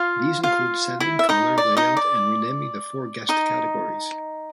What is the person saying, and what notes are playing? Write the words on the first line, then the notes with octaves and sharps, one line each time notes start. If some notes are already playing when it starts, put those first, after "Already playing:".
These include setting, color, layout, and renaming the four guest categories.
Already playing: F4 F5
F4 F5
E4 E5
E5
D#4 D#5
D5
D#4 D#5
D5
D#4 D#5